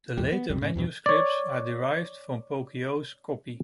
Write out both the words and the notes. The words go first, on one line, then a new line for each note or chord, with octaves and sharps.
The later manuscripts are derived from Poggio's copy.
D#2 A2 G3
B3
B1 F2 G3
G#2 C#3 G3 C#4
E2 G2 B2 E3
C#5 D5